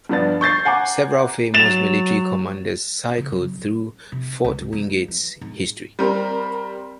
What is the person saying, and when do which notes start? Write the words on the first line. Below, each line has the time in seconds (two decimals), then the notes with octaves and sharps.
Several famous military commanders cycled through Fort Wingate's history.
0.09 G2 F3 B3 D4 A6
0.41 C#6 G6 A6 C7
0.65 F#5 G#5 A#5 D6
1.54 F#3 A6 E7 F7
3.18 C#3
3.32 F#3
3.53 D#1
4.12 C3
4.44 C#2
4.73 G#3
5.08 E3
5.41 G#2
5.99 G3 C4 A#4